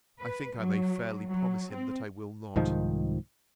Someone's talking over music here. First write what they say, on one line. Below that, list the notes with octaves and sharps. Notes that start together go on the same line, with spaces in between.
I think I may fairly promise him that I will not.
B4
F#3
F#3
C4
C2 G#2 D#3 F3